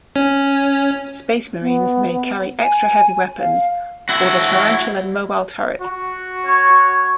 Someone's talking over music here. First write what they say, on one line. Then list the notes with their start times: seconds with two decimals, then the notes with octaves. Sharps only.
Space marines may carry extra heavy weapons or the tarantula mobile turret.
0.16 C#4
1.61 B3
2.62 G#5
3.38 F5
4.09 E4 F#4
5.81 F#4
6.46 C#5